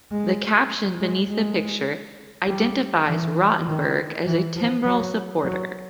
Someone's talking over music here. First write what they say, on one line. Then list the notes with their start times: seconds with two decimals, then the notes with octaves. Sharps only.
The caption beneath the picture identifies Rotenberg as a Timbrell supporter.
0.11 G#3
1.00 G#3
1.30 G#3
2.48 G3
3.07 E3
3.68 D#3
4.26 E3
4.56 F3
4.86 F#3
5.45 F#3